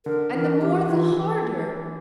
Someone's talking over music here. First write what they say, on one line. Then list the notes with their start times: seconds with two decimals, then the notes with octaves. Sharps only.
And the more the harder!
0.06 D3 A#4
0.34 E3 A#4
0.62 E3 G4
0.89 E3 F4
1.12 E3